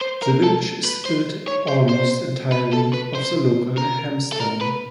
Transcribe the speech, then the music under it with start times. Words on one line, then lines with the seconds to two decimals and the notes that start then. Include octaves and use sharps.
The village is built almost entirely of the local hamstone.
0.01 C5
0.22 A#4
0.43 A4
0.85 B4
1.06 C5
1.48 C#5
1.68 C5
1.89 C5
2.52 B4
2.73 A4
2.94 B4
3.15 C5
3.77 A#4
4.32 A4
4.40 A#4
4.61 B4